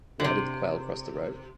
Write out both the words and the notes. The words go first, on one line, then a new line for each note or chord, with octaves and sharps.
Why did the quail cross the road?
D3
C3